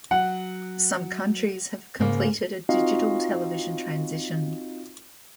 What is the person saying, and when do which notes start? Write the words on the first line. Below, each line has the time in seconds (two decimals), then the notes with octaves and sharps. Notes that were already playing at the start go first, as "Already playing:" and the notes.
Some countries have completed a Digital television transition.
0.11 F#3 F#5
2.00 G#2 C#3 A#3
2.69 C4 D#4 F4 F#4 D#5 F5